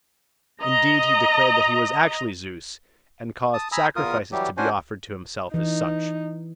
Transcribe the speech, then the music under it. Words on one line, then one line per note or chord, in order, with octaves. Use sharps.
Indeed he declared that he was actually Zeus, and caused sacrifices to be offered to himself as such.
D#5 A#5
A5 D#6
G#5 A#5 B5 D#6 E6
E2 F4 A#4 D#6
E3 F#3 G3 G4
C#4 D4 F#4 C5 G#5
E3 D#4